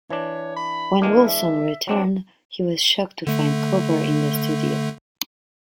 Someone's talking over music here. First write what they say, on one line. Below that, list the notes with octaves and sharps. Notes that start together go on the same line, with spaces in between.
When Wilson returned, he was shocked to find Kooper in the studio.
E3 D4 C#5
B5
E3 G#3 A#3 D4
E5
F#3 C4 D4
D3 A3